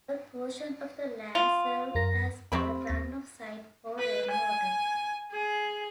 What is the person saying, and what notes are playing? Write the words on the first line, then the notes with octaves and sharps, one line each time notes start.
A portion of the land served as a run-off site for rainwater.
F4
F#2 A#4 A#6
E2 C3 F3 C4 B5 C#6
D#2 A#6
B4
G#5
G#4